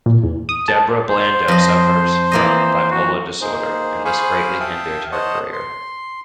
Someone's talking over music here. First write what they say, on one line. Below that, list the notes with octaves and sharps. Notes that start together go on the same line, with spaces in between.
Deborah Blando suffers from bipolar disorder and this greatly hindered her career.
A#2
E2
D#6
A5
C5
F2 D#5
E3 A#3 D#5
F#4
A#3 D#4 G#4 C5
G#4 C5 F5 G#5 B5 C#6
E5 F5 G5 A5 D#6
C5 C#5 D#5 F#5 A5
C6